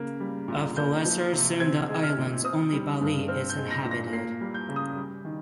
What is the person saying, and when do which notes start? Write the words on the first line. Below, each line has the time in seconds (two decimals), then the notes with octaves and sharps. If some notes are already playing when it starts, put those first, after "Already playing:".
Of the Lesser Sunda Islands only Bali is inhabited.
Already playing: C#3 A#3
0.20 G3
0.48 A#2
0.77 A#3 G6
1.05 F3
1.33 C3
1.60 C4 G#6
1.89 G#3
2.03 F6
2.17 A#2
2.45 C4 D#6
2.72 G3
3.01 G2
3.28 C4 F6
3.50 G6
3.57 G#3
3.70 A#6
3.85 A#2
3.91 A#6
4.13 A#3 C7
4.41 G3
4.54 G6
4.69 C#3
4.76 D#6
4.96 G3
5.25 D#3